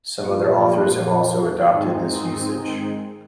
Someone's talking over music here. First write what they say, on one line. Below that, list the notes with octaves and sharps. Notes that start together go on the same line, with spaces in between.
Some other authors have also adopted this usage.
A#2 F3 A#3
G#2 D#3 G#3 C4 D#4